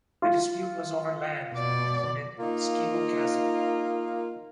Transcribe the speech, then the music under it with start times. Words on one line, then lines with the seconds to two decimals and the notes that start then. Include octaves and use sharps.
The dispute was over lands that included Skibo Castle.
0.22 F4
1.53 B2 D5
2.39 A#3 D#4 F4